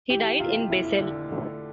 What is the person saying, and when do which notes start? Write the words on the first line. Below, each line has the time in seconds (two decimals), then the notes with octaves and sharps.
He died in Basel.
0.10 E3 G4
0.40 C3 F4
0.69 F1 E4
0.99 D3
1.29 A3